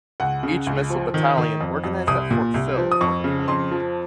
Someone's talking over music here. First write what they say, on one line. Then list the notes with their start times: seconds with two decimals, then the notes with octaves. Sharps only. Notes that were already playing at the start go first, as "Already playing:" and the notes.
Each missile battalion organized at Fort Sill for deployment.
0.20 C#2 F#5
0.43 C#3
0.67 C#2
0.90 F3
1.14 D#3
1.38 D#3
1.61 F2
1.84 F2
2.07 C2 D#6
2.31 A#2
2.54 C2
2.78 F3
2.91 D#6
3.01 F2 C#6
3.24 C#3
3.48 F2 C6
3.71 F3